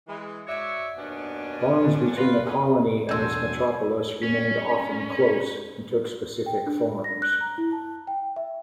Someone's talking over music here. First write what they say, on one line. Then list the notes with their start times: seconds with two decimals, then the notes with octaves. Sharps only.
Bonds between a colony and its metropolis remained often close, and took specific forms.
0.08 E3 G#3
0.47 F#4 C#5 D5 E5
0.98 D#2 B2 B3 C#4 D4 D5
2.17 F4 B4
2.45 E2 G#2 D3 G#3 G#4
3.09 E2 B2 D4 F#4 G#5 C6 E6 G6
4.23 C#4
6.46 G5
6.66 D4
7.04 A#6
7.22 F#6
7.41 A#5
7.58 E4
7.72 A5
8.07 G5
8.36 E5